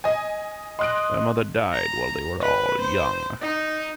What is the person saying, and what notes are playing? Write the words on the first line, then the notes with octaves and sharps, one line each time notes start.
Their mother died while they were all young.
D#5 G#5
D#5 C6 F#6 D7
A#5
B4
C5
D#4